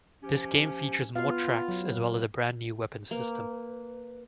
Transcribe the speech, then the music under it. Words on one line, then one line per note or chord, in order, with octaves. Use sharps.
This game features more tracks as well as a brand new weapon system.
F3 C#4 G4
B3 F4 F5
F#3
A#3 B4